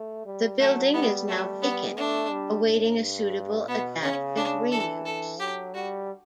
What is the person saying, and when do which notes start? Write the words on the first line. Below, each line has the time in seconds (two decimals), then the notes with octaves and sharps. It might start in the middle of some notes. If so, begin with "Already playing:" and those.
The building is now vacant awaiting a suitable adaptive re-use.
Already playing: A3
0.25 G3
0.59 F#3 A3
0.93 G3 B3
1.28 A3
1.62 B3
1.97 A3 D4
2.31 G3
2.65 A2
3.00 G2
3.68 B2 B3
4.03 C#3 C#4
4.37 D4
4.72 E3 A4
5.06 A4
5.40 F#3 G4
5.75 G3 F#4